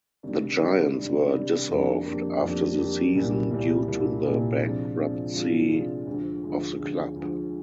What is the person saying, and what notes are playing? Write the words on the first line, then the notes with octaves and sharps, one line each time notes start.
The Giants were dissolved after the season due to the bankruptcy of the club.
C3 D#3 G3 D4
C3 D#3 G3 D4
C3 D#3 G3 D4
C3 D#3 G3 D4
F2 D#3 A#3 D4 G4
F2 D#3 A#3 D4 G4
F2 D#3 A#3 D4 G4
F2 D#3 A#3 D4 G4
C2 A#2 G3 A#3
C2 A#2 G3 A#3
C2 A#2 G3 A#3
C2 A#2 G3 A#3
C3 F3 G#3 D4 F4
C3 F3 G#3 D4 F4
C3 F3 G#3 D4 F4
C3 F3 G#3 D4 F4
D2 D3 F3 G#3
D2 D3 F3 G#3
D2 D3 F3 G#3
D2 D3 F3 G#3